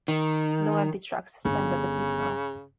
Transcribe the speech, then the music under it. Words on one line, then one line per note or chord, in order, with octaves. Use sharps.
No empty trucks stand at the pit-mouth.
D#3
G1 C#3